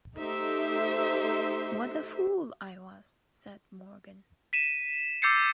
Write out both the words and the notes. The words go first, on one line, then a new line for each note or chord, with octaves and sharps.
"What a fool I was," said Morgan.
A3 D#4 G4 C5 E5
B6 D#7 E7
D6 E6 G6 A6 C7 C#7